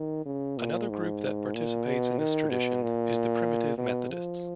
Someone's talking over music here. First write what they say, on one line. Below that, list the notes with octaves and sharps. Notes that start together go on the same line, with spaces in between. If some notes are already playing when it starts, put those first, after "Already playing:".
Another group that participates in this tradition is the Primitive Methodists.
Already playing: D#3
C#3
A#2
G#2
A#2
B2
D#3
B2
A#2
B2
F3